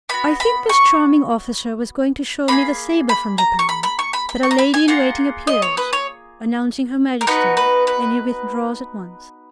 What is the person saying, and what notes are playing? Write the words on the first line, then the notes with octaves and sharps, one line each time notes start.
I think this charming officer was going to show me the sabre from Japan, but a lady-in-waiting appears, announcing Her Majesty, and he withdraws at once.
B3 F#4 B5
B5
C#6
A#3 D#4 G#4 B5
B5
A#5
C#6
B5
B5
C#6
B5
B5
C#6
A#5
B5
G#5
A#3 F4 G#4 F#5
D#5
C#5
B4
C#5
A#4
B3 D#4 F#4 B4
B4
B4